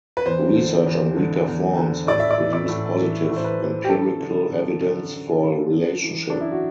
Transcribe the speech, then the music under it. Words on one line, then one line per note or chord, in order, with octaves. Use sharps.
Research on weaker forms have produced positive empirical evidence for a relationship.
B4
E2 C5
D3
E2
D3
E2
D3
A2 D5
E5
D5
E3
D5
A2
E3
A2
C5
B4
E3
G4
F#2 A4
D3
F#2
D3
F#2
D3
F#2
E3
F#2 D4
E4
F#4